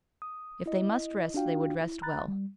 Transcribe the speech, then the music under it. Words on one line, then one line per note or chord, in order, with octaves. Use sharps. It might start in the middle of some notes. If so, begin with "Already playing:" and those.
If they must rest they would rest well.
D#6
E4 D#5
D4 F4 F#4 F5 G5
E4
A#5 B5 F#6 A6
G3